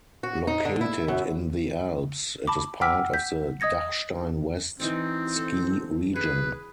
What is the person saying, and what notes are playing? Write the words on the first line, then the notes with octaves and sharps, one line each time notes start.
Located in the Alps, it is part of the Dachstein West ski region.
F#4
D#4
D3
E4
F#2
A5 B5 D6
F#5 G5 D6 E6 F6 B6
G6 B6
D#5 D#6 G#6 A#6 C#7
E3 C4 D#4 D5
A4
G#4 B4